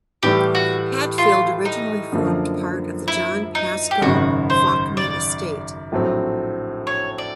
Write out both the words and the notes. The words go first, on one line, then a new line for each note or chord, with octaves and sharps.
Hadfield originally formed part of the John Pascoe Fawkner estate.
A2 E3 G3 G4
F#4
F4
D#4
F#2 D3 F3 A#3
E4
D#4
G4
G#1 F#2 C#3 F#4
C5
D5
A#1 A2 F#3 A3 C4
C#5
D5